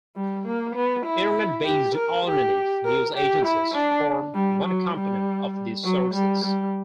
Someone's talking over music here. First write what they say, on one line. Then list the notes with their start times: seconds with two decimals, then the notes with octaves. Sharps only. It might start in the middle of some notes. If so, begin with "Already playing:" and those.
Internet-based alternative news agencies form one component of these sources.
0.16 G3
0.46 A#3
0.76 B3
1.06 E4
1.65 G4
1.95 A#4
2.26 G4
2.85 A#4
3.15 G4
3.45 E4
3.75 D4
4.35 G3
4.64 F#3
4.95 G3
5.84 F#3
6.14 G3
6.44 G3